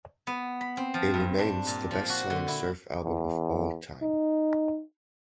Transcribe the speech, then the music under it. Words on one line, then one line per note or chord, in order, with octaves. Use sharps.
It remains the best selling surf album of all time.
B3
B5
C4
F3
G2
D4
A#2
F3
F#4
D3
E4
E2
D#4